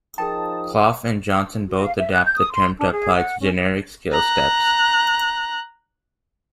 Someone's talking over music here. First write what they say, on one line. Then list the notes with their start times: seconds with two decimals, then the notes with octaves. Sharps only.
Clough and Johnson both adapt the term to apply to generic scale steps.
0.18 F3 D#4 G#4 A#4 G5 A5 D#6
1.68 F#4
1.83 F5
1.97 E5
2.11 F#6
2.24 G6
2.38 D#6
2.51 C6
2.78 D4
2.91 G#4
3.13 F#5
3.40 C#4
4.11 A#5 F#6